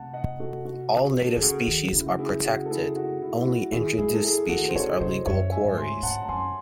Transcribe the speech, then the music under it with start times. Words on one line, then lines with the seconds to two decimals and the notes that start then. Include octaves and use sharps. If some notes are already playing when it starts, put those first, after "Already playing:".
All native species are protected, only introduced species are legal quarries.
Already playing: C3 F#5 A5
0.13 D#5 F#5
0.40 F#4 A4
0.65 F#4
1.26 A4
1.33 G#4
1.37 D#3
1.42 C#3 F#4
1.68 D#3
1.93 C#3 E4
2.06 F#4
2.19 E4 G#4
2.45 F#4
2.65 A4
2.70 E4 G#4
2.96 F#4
3.22 E4
3.40 E4
3.47 F#4
3.72 D#3 E4 G#4
3.98 G#3 E4 G#4
4.14 A4
4.24 E4 G#4
4.49 D#3 F#4 A4
4.68 C5
4.75 C#3 A4 C#5
5.00 C3 C5 D#5
5.26 F#2 C#5 E5
5.52 E5 G#5
5.65 G#2
5.77 G#5 C6
6.02 G#2 F#5 A5
6.22 A5
6.28 F#2 G#5 C6